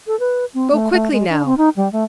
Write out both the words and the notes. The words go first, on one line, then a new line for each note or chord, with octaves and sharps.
Go quickly now!
A4
B4
C4
A3
A3
G#3
D4
C4
D#4
G3
A3